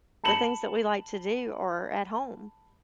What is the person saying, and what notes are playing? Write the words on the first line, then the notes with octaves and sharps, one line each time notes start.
the things that we like to do are at home,
A5 B5 C#7 E7 F#7